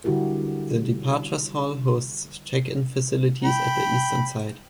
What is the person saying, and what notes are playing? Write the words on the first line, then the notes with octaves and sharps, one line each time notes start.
The departures hall hosts check-in facilities at the eastern side.
D3 G3 E4 F#4 G4 A#4
G5 B5